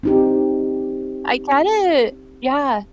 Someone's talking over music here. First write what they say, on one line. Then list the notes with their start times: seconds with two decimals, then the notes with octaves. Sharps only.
I get it. Yeah.
0.03 C4 D#4 G4